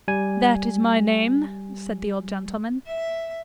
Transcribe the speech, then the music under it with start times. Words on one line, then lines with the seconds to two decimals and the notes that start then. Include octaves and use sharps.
'That is my name,' said the old gentleman.
0.08 G3 G#5
2.87 E5